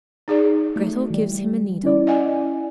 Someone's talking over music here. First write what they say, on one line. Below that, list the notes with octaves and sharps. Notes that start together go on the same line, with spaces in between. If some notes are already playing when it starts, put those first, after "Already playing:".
Grettel gives him a needle.
D#4 G#4 D5
A3 F#4
E3 G3
C#4 E4 D5
D#5 F#5 G#5